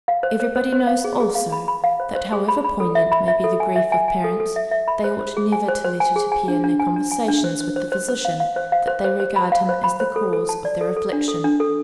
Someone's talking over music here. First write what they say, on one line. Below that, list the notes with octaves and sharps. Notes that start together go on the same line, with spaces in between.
Every body knows, also, that however poignant may be the grief of parents, they ought never to let it appear in their conversations with the physician, that they regard him as the cause of their affliction.
F5
C5
C5
C5
C5
F5
G#4
G#4
F5
B5
B5
F5
C5
C5
G#4
B5
B5
A4
E5
B5
E5
A4
G#5
E5
G#5
G#5
A4
A4
E5
E5
B5
C5
C5
G#4
G#5
C5
C5
G#5
G#4
G#5
D4
D4
G#5
D4
G#5
D4
C5
C5
C5
C5
C5
F5
F5
C5
F5
C5
C5
C5
B5
F5
C5
B5
C5
A4
A4
A5
D5
A4
A4
D4
A4
D4
A4